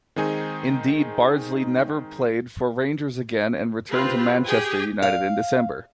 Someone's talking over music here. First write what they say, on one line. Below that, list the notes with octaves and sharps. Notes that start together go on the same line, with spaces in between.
Indeed, Bardsley never played for Rangers again and returned to Manchester United in December.
D#3 G#3 C4 D#4 G#4 G#5
C4 F4 G4 B4
G4 G#4 G5 G#5
F5